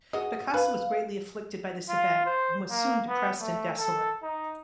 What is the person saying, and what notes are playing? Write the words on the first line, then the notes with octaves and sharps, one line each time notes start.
Picasso was greatly afflicted by this event and was soon depressed and desolate.
F#4 G#4 D#5
B4 F5
F4
C5
A#3
B3
A3
A4
D#4